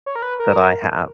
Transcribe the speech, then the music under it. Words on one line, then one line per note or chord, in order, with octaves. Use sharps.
that I have
C#5
A#4
B4
A#4